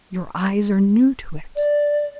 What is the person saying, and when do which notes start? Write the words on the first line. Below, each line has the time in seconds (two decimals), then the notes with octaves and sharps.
Your eyes are new to it.
1.56 D5